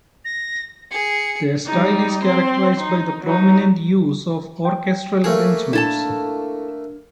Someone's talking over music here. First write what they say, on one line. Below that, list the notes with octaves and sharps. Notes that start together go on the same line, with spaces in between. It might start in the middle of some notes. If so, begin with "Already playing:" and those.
Their style is characterized by prominent use of orchestral arrangements.
A#6
G#4 C#7
G3 D#4
C4 C6
D#4
F#3 D#4
G5
A3 A#3 G#4 C#5
D4 E4 A4 A5